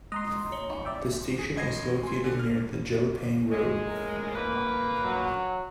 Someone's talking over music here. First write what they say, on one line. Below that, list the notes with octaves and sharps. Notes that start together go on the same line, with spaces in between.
The station is located near Jelapang Road.
G#3 D#5 A#5 C6
C#5 C#7 G7
D#4
D5 E5 G5
G#4
A1 D#5 G#6 A#6 C7
G#5 C6
D3
F6
G#3
A2 A#4
A#3 B4
F#3